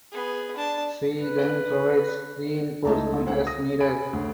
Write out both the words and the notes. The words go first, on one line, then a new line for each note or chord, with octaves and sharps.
She then provides reinforcement as needed.
B3 G#4
D4 A5
B4
C#2 A3 D#4 E4 A5 A#5
D2 C5 F#5
D#6 A#6
G#5 B5 D7
D2